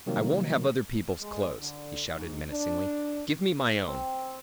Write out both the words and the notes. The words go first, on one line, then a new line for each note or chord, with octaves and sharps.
"I won't have other people's clothes!" he shouted menacingly, "give me my own!"
C3 D#3 F#3 G3 A#3
G#3
D3
G#2
D4
C4